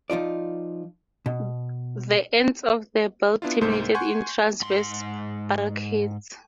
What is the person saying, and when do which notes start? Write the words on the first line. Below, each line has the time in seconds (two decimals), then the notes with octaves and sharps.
The ends of the belt terminated in transverse bulkheads.
0.10 F3 D#4 F4 D5
1.26 B2
3.42 B3 D4 E4 F4
3.61 C2 G#2 A#3 C5 G6 C#7
3.95 F#5 G#5 C6 C#6 G6 G#6
4.62 G#2 C6